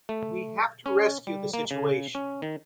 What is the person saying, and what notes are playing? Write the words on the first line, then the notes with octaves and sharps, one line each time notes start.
We have to rescue the situation.
A3
C#4
G3
A#3
C#3
C#4
D#3